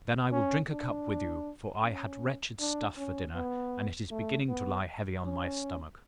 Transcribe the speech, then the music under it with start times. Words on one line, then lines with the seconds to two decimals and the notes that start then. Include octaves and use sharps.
Then I will drink a cup with you, for I had wretched stuff for dinner, and it is beginning to lie heavy on my stomach.
0.32 C#4
0.70 D4
1.84 C#4
2.60 D4
2.97 C#4
3.35 B3
4.11 A3
4.49 B3
5.24 C#4